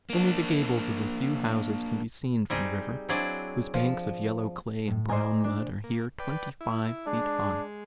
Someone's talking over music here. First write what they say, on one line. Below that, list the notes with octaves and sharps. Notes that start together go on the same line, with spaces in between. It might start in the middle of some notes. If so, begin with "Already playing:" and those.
Only the gables of a few houses can be seen from the river, whose banks of yellow clay and brown mud are here twenty-five feet high.
A#3 D4
G3 C4 D#4 G4 G#4
F#3 C4 D4 E4 G#4 D5
F3
A2
C5 D5 D#5 G#5 A#5
D4
A#3
B4 D5 G5
E4
G#3 D4